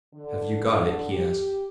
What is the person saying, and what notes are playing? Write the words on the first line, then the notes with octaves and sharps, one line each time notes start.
"Have you got it?" he asked.
D3
G4